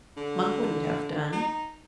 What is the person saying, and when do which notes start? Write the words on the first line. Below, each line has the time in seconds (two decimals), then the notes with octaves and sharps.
Monk wouldn't have done.
0.17 D3
1.33 D#4